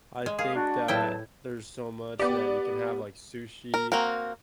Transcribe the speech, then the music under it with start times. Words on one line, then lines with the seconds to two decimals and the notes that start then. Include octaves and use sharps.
I think that there's so much that you can have, like, sushi,
0.26 G#3
0.39 A#3 G#4 F5 D#6
0.56 D4 F#4
0.88 E2 A2 F#3 E4 G5 A5
2.19 B3 G4 D5
3.74 A#4
3.92 A#3 C4 F#4 A#4